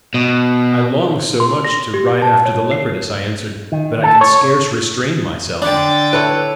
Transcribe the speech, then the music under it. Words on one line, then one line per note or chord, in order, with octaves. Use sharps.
"I long so much to ride after the leopardess," I answered, "that I can scarce restrain myself!"
B2
C6
A#6
G4
A5
C#5
C7
D#3
A4
C#5
D3 D4 G5 A6
E4 A4 B4 C#5